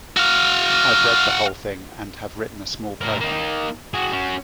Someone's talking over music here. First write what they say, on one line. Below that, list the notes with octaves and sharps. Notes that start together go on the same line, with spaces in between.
I've read the whole thing and have written a small program.
F#4 F5
A2 A#4
A#3 D#4
F#4 G#4
C#4 F#4